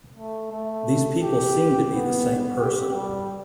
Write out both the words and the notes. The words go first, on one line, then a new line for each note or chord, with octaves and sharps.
These people seem to be the same person.
A3
A3
G4
B3
G4
G3